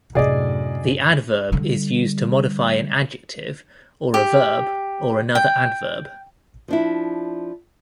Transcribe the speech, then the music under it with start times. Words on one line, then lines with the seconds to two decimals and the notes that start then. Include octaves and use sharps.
The adverb is used to modify an adjective, or a verb, or another adverb.
0.15 F#2 A2 C3 D4 G#4 D5 D#5
1.52 D3 G3
4.14 G4
5.35 G5
6.68 F3 D4 E4